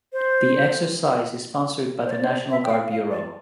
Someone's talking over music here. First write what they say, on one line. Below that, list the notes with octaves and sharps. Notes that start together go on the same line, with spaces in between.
The exercise is sponsored by the National Guard Bureau.
C5
C5
D5
C5
D5
E5
G5
F5
F5
D5